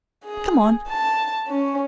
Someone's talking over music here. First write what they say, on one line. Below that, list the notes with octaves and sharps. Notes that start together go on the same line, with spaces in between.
Come on.
G#4
A5
C#4